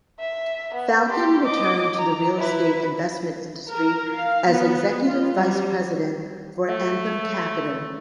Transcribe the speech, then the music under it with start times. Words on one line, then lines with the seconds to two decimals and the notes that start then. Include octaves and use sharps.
Falcon returned to the real-estate investment industry as executive vice-president for Anthem Capital.
0.20 E5
0.75 B3
1.09 G4 C6
1.45 D#5 D6
1.99 A#5
2.38 E4 B4
3.70 A#4
4.15 F5
4.50 B3
5.05 F4
5.39 G3
6.68 A3